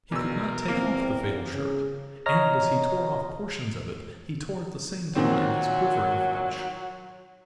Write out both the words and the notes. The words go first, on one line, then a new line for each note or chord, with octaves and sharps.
He could not take off the fatal shirt, and as he tore off portions of it he tore, at the same time, his quivering flesh.
E2 B2 A#4 E6
E2 A#3 C4
C#3 G#4
C#5 D#5 A#5 F6 A#6
A#2 D#3 F#3 C4